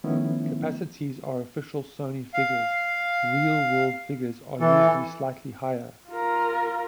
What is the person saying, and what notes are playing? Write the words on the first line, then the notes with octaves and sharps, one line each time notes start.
Capacities are official Sony figures; real world figures are usually slightly higher.
D#3 F3 A3 B3 C#4 E4
F5
E3 A4
F4 A#4